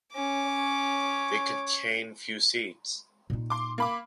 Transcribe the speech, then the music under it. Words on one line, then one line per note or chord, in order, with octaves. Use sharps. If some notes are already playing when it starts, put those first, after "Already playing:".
They contain few seeds.
C#4 D6
C#5
A#2 D#4
C6 D6
A#3 B5 D6